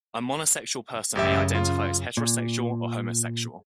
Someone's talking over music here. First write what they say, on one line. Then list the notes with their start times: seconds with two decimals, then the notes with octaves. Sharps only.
A monosexual person may identify as heterosexual or homosexual.
1.15 A1 F#2 C#3 G4 E5
1.55 F4
2.17 A#2